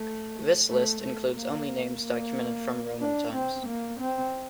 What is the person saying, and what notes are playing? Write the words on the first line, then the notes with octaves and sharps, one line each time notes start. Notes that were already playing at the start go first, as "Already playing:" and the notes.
This list includes only names documented from Roman times.
Already playing: A3
A3
A3
A#3
A#3
D4
C4
A#3
C4